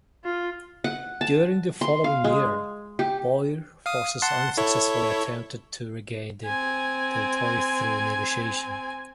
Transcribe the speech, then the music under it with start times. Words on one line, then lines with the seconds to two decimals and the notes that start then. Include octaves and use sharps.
During the following year, Boer forces unsuccessfully attempted to regain the territory through negotiation.
0.25 F4
0.84 F#5
1.21 A5
1.81 C6
2.04 F5
2.24 G#3
2.99 G4
3.86 F5 D#6
4.22 F#5 A5 C6
4.57 E4 A4 C#5
6.46 C4 G#5